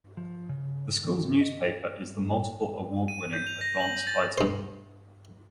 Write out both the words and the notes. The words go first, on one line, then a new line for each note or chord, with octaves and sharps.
The school's newspaper is the multiple award winning "Advance-Titan".
F3
C#3
D#3
D#5
D#7
G6
F7
A#6
F#7
A6
G2 C5